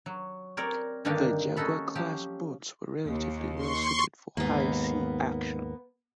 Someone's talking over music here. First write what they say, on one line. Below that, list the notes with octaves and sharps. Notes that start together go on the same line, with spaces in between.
The "Jaguar"-class boats were relatively well suited for high sea action.
F#3
C4 A#4 C#5 D5
G2 D3 D#3 A#3 D4 G4
C#4 D#4 F#4 A4 B5
F3 F#3 G4
D#2
C6 C#6
D#2 G#2 A#3 B3